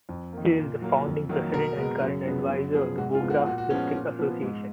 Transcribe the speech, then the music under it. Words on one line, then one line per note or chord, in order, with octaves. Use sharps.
He is the founding president and current advisor of the Bogra District Association.
F2
D#3 A#3
A#2
F#3 A#3
F2
D#3 F#3 A#3
B2 A#4
G#3 B3
F#2
C#3 F3 G#3 B3
F#2
F3 B3 G#4
G#2 F#4
F4
F3 G#3 B3
F#4
A#2 F#4
F#4
F3 G#3 B3 C#4
A#2
F3 B3
G#2